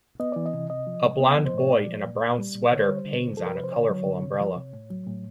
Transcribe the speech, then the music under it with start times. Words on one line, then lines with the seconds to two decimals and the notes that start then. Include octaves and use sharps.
A blond boy in a brown sweater pains on a colorful umbrella.
0.20 B3 D#5
0.32 E3 D5
0.46 D#5
0.53 C3
0.70 C3 D#5
0.87 F3
1.04 C3
1.20 B3
1.38 F3
1.46 C5
1.54 A2 C#5
1.71 A#2 D5
1.87 F3
2.05 A#2
2.21 A#2
2.38 G3
2.54 A#2
2.72 D3 C#5
2.80 C5
2.88 G3 C#5
2.96 C5
3.05 D3
3.21 C3
3.37 F3 A4
3.46 A#4
3.55 C3 B4
3.64 C5
3.72 D3 C#5
3.89 F#3
4.06 D3
4.23 C3
4.40 F3
4.56 C3
4.73 A2
4.90 F#3
5.06 A2